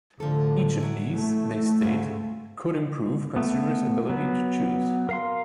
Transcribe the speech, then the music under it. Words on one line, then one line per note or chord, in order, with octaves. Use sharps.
Each of these, they state, could improve consumers' ability to choose.
A2 D3 F3 A4
E3 F#3
A3
D2 G#2 C#3
A3 B3
F#3 B3
A#4 F5 C6